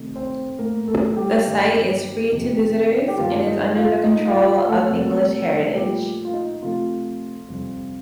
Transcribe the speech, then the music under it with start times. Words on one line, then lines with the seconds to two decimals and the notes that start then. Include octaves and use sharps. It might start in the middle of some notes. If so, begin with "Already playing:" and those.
The site is free to visitors and is under the control of English Heritage.
Already playing: C3 D#3 A3
0.16 C4 C5
0.59 A2 A3 A#3 A#4
0.87 A3 A4
1.16 G3 G4
1.45 G2 D#3 G3 A#3
2.31 F2 C3 D#3
3.08 G4
3.18 G2 D#3 A#3 F4
3.46 D#4
3.75 F4
4.04 A2 A3 D#4
4.26 F4
4.47 F4
4.69 A3 A4
4.90 F2 C3 G3 A#3
5.76 A#2 F3 G3 A3 G4
6.25 F4
6.33 D#4
6.62 C3 F3 A3 F4
7.49 F2 C3 G3